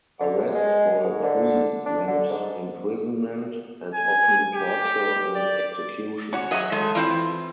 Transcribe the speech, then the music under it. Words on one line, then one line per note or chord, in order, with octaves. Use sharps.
Arrest for a priest meant imprisonment, and often torture and execution.
D3
F#2
G#3
G#2
D3
D4
D3
G#2
G#5
G4
D5
C#4 F#4 C#5
F#3 G#4 C#5 D#5 E5
G#3 A3 E5
E3 C4 E4 F4